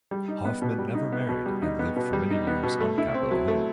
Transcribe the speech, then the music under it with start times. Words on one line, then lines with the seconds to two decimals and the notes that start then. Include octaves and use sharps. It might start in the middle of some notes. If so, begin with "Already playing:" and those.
Hoffman never married and lived for many years on Capitol Hill.
0.11 G3
0.28 D#4
0.45 B3
0.62 B2
0.78 G3
0.95 D#4
1.12 B3
1.29 B2
1.46 G3
1.62 D#4
1.79 B3
1.96 B2
2.13 G3
2.30 D#4
2.47 B3
2.63 B2
2.80 A3
2.98 E4
3.14 C4
3.31 F#3
3.48 A3